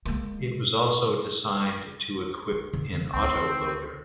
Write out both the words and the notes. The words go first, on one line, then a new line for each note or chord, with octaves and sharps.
It was also designed to equip an autoloader.
G#3 A#3
E4
D3 D#3
D2 D#3 C4